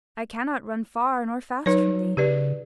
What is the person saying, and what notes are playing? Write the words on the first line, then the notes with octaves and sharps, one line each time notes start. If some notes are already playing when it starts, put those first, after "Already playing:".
I cannot run far or fast from thee.
F#3 D#4 B4 C#5
C#3 G4 B4 D5